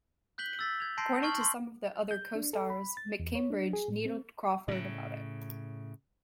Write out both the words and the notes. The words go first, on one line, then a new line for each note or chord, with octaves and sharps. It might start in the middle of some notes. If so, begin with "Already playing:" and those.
According to some of the other co-stars, McCambridge needled Crawford about it.
F#6 G6 B6 F#7 G7
E6 A6 B6
G#6 F7
A5 C6 G6 A#6 C7 D7
A5 C#6 F6 G#6 F#7
C6
G6
D4
A4
B5
A6
E2
C#5
D4
G#4
A2
C4
A2 C#3